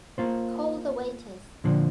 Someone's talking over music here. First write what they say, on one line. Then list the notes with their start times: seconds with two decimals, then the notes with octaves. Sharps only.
Call the waiters!
0.18 A#3 F4 C5
1.64 A#2 D3 F3